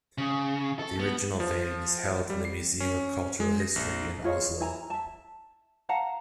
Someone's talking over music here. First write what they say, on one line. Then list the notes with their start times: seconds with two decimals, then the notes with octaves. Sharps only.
The original vane is held in the Museum of Cultural History in Oslo.
0.18 C#3
0.79 A4
1.00 B3
1.40 F3
2.30 G3
2.45 C7
2.80 C#4
3.40 G#3
3.60 A#6
3.76 A#1
4.24 F4 G#4 C#5 D#5
4.60 E4 G#5 A#5
4.90 E5 A5
5.89 F5 F#5 A5 A#5